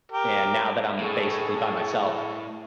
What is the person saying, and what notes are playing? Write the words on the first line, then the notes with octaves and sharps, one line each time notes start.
and now that I'm, basically by myself,
G4 A#4
A2 G#4 A4 C#6